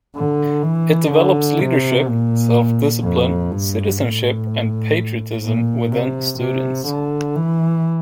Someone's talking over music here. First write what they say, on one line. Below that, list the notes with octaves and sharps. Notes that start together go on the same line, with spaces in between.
It develops leadership, self-discipline, citizenship, and patriotism within students.
D3
E3
D3
C3
A#2
F2
G2
A2
A#2
C3
C3
D3
E3